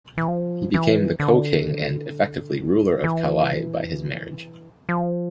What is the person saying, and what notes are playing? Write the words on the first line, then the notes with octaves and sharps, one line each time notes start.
He became the co-king and effectively ruler of Kauai by his marriage.
E3
F3
E3
D3
E3
F3